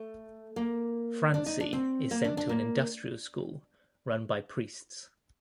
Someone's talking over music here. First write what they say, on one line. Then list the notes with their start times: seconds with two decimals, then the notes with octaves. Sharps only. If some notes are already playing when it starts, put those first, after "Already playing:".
Francie is sent to an 'industrial school' run by priests.
Already playing: A3
0.56 A#3
1.34 D4
1.46 D#4
1.60 D4
1.73 C4
2.11 A#3
2.24 D4
2.37 D4
2.49 A#3